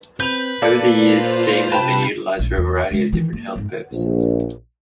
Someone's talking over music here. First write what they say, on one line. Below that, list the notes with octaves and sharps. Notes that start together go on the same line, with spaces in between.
Over the years, steam has been utilized for a variety of different health purposes.
C4 B4 G6 F7
A#2 A#3 A4 D5
F4 C5 F5
C3 B4 G5 A5 B5
A#1 D#2
E2
C#3 G#3
D#3 E3
A#3
F2 G#2
A#1